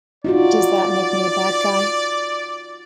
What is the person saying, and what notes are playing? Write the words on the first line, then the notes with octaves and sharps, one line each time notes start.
Does that make me a bad guy?
D#4 F4 F#4 D5